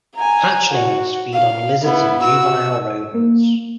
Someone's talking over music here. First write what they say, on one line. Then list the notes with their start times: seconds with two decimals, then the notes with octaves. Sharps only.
Hatchlings feed on lizards and juvenile rodents.
0.15 G#5 A#5
0.70 F#4
1.34 F5
1.83 B3 E4
2.22 F#4 E6
3.14 A#3